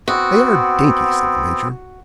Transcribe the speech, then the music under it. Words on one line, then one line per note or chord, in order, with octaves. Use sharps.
"They are dainty," said the Major.
B3 C4 F#4